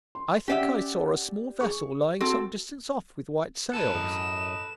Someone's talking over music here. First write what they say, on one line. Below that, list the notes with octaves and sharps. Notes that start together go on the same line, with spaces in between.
"I think I saw a small vessel lying some distance off, with white sails."
C6
C#4 G4 D5 E5 F#5 G5
G#4 C#6
C4 F#4 A4
A4 B4 E7
F#2 D#5